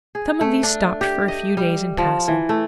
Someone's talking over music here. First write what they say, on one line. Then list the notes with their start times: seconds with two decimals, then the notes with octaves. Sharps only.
Some of these stopped for a few days in passing.
0.15 G#4
0.41 A3
0.63 D4
1.01 G4
1.28 D#5
1.57 G3
1.98 F3
2.28 E3
2.49 A3